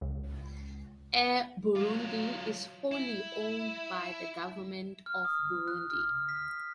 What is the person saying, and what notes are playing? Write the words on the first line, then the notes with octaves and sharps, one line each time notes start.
Air Burundi is wholly owned by the government of Burundi.
C#2
F#3 F4
E4
F6
D#6
F#6
F6
B6